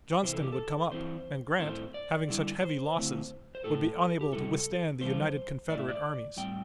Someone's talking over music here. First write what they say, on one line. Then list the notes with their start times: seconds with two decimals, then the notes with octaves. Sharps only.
Johnston would come up, and Grant, having such heavy losses, would be unable to withstand the united Confederate armies.
0.23 C3 E3 C4 E4 C5
0.33 A4
0.42 G4
0.52 A4
0.92 E3 C4 E4 C5
1.60 A2 A3 C4 E4 C5
1.94 D5
2.28 D3 G3 E4
2.62 C5
2.96 D3 A3 C4 E4
3.55 C5
3.64 A2 A3 E4 A4
4.21 G4
4.33 C3 G3 E4 A4
5.01 E3 G3 E4 C5
5.69 A2 A3 E4 D5
5.79 E5
5.89 D5
6.37 A2 G3 C4 G5